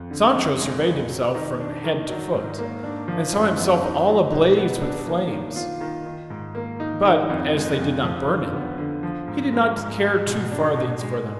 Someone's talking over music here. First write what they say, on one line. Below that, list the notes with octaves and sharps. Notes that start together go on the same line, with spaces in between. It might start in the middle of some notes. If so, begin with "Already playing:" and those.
Sancho surveyed himself from head to foot and saw himself all ablaze with flames; but as they did not burn him, he did not care two farthings for them.
Already playing: F2
D3
F2
G#3
F2
F#3
D#3
D4
D#3
F#3
G#2
A#3
D4
F3
F#2
B3
D#4
F#3
B2
B3
D4
A#3
D#3
F4
D#3
D#3
G#2
A#3
D#4
D#3
F2
G#3
F2
F3
D3
B3
D3
F3
G#2
G#3
G#2
G#3
B2
D4
B2
G#3